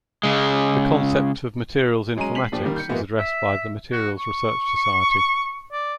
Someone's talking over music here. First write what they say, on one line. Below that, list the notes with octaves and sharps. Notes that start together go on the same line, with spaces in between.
The concept of materials informatics is addressed by the "Materials Research Society".
C#3 G#3
F#3 G#3 C#4 A#5 D#7
B6 C7 F#7
A#2 F3 D4 G4
D#3 G3 A#3
G6 C#7
E3 G#3 A#3 B3 F#4
E5
F#4
C#6
D5